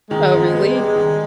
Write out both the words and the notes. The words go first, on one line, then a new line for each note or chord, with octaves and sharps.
Oh, really?
D#3 G#3
F#2
B3
G3
D#3